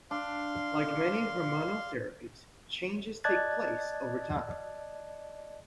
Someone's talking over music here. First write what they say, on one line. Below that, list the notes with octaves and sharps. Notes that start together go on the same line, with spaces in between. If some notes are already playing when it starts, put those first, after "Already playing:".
Like many hormonal therapies, changes take place over time.
D4 F5 C6
D5 D#5 A5 F#6 G#6 A6